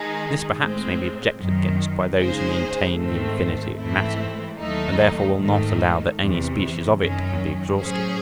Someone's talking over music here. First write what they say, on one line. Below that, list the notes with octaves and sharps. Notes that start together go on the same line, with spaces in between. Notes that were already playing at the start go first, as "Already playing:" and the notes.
This perhaps may be objected against by those who maintain the infinity of matter, and therefore will not allow that any species of it can be exhausted.
Already playing: D#3 G#3 D#4 G#4
A2 G#3 C4
F#2 D#3 F#3
C#3 G#3 D#4 G#4 C5
G#2 D#3 A3 C4
G#2 E3 A3 C4 E4
D#2 D#3 F#3 A3 D#4
G#2 D#3 A3 D#4
E2 C3 E3
F#2 D#3 F#3 C#4
A2 F#3 C#4 G#4 C5